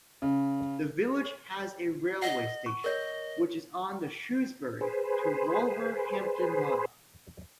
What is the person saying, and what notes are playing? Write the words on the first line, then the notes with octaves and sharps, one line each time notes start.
The village has a railway station, which is on the Shrewsbury to Wolverhampton Line.
C#3
D#5 F#5
C#6
A#4 C#5 D#5
G#4 B4 C5